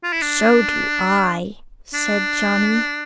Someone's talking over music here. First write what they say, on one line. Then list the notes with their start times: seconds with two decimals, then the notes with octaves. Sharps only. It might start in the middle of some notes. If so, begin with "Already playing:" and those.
"So do I," said Johnny.
0.04 F4
0.12 E4
0.22 D4
1.94 D4